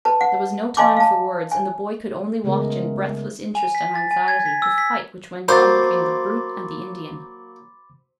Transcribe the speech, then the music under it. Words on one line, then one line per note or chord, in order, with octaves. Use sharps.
There was no time for words, and the boy could only watch in breathless interest and anxiety the fight which went on between the brute and the Indian.
B4 A5
F#5
D#5 F5 G#5 A5 C6 D6
F5 A5
G#5
C#3 G#3 A3 B3 G#4 A#4
G#5
B6
A6
G#5
G#6
B6
E6
B6
F#3 A#3 C5 B5 D6 A6